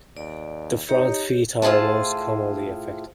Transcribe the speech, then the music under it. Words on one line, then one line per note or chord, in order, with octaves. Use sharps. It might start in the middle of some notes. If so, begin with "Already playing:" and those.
The front feet are most commonly affected.
D#2 D5
D#4 G4 C#5
A2 F4 G#4 C5 A5